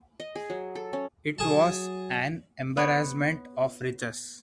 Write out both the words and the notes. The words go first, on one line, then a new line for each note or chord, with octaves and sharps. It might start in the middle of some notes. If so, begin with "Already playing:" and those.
It was an embarrassment of riches.
D#5
G#4
F#3
A4
C#4
F#3 G#4 A5
B3 C#5